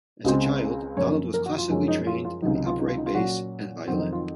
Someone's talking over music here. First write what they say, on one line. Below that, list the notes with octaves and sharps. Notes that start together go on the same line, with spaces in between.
As a child, Donald was classically trained in the upright bass and violin.
C#2 C#3 G#3 C4 D#5
F#2 F3 A#3 C#5
A#4
F#4
F4
F#2 F3 G#3 C#4 D#4
D#4
F4
F4
C#2 C3 D#3 F#3 D#4
D#4
F4
D#4
F4
D#4
F4
A#2 F#3 A#3 C#4 F#4
F2 D#3 F#3 C4 F#4
D#4
F4